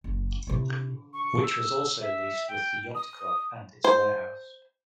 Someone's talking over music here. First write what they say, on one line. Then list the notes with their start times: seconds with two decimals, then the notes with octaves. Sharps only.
Which was also leased with the yacht club and its warehouse.
0.04 F#1
0.47 C3 E4
1.13 C#6
1.43 E6
2.01 E5
2.48 G5
2.95 D#6
3.84 C5